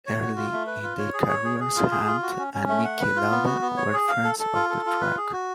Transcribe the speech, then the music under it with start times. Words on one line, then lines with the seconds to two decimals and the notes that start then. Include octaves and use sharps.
Early in their careers Hunt and Niki Lauda were friends off the track.
0.06 C#5
0.21 F#4
0.36 F4
0.52 A3
0.67 B4
0.83 F4
0.98 C#5
1.14 G#4
1.29 C#5
1.45 G#4
1.60 G#4
1.76 F4
1.91 G#4
2.06 F4
2.22 F#4
2.38 C#4
2.54 C#4
2.69 A3
2.84 F#5
3.00 B4
3.16 F4
3.31 B3
3.46 F#4
3.61 B3
3.77 C#5
3.93 G#4
4.08 F5
4.24 A4
4.39 A4
4.54 F4
4.69 A4
4.86 F4
5.01 B4
5.17 G#4
5.32 F#4